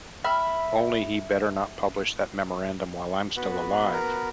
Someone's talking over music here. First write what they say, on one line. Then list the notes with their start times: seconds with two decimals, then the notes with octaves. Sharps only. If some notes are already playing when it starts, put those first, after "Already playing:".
Only he better not publish that memorandum while I'm still alive!
0.24 E5 B5 F6
3.37 B3 F#4 B4
3.93 A#4